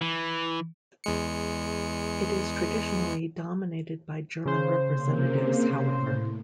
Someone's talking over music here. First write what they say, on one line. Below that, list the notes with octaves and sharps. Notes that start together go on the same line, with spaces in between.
It is traditionally dominated by German representatives, however.
E3
E2 G#3 C#7
C#3 C5
C3 A#3
A2